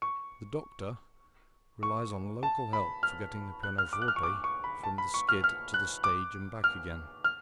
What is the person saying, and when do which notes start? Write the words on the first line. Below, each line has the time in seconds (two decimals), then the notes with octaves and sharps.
The "doctor" relies on local help for getting the pianoforte from the skid to the stage and back again.
0.02 C#6
1.83 C#6
2.43 A5
2.73 B5
3.03 F6
3.63 F#6
3.78 F6
3.93 D6
4.02 F#6
4.08 F6
4.16 C#6
4.23 D6
4.44 C#6
4.64 B5
4.83 A5
4.98 B5
5.14 C#6
5.29 F6
5.44 F6
5.74 F#6
6.04 D6
6.64 F6
7.24 F6